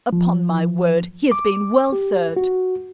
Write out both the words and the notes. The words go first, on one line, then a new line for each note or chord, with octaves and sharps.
Upon my word, he has been well served.
F3
D6
G4
F#4